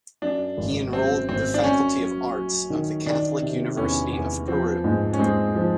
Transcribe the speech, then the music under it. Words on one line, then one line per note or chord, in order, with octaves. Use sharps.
He enrolled the Faculty of Arts of the Catholic University of Peru.
F#2 D4
G#1
F#2 C4
G#1 C4
D4
F#2 C#4
F#3
F#3
D#3
D#3 D4
C3
E2 C#4
E2
F3 C4
G#2
C#4
G#3 C4
F3